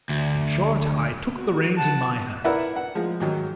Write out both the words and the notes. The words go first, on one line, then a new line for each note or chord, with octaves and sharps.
In short, I took the reins in my hand.
D2
F#4
F#5 A5
E4 A#4 B4 D5 E5 F#5
F#5
F3 G#3
G#2 D#3 F#3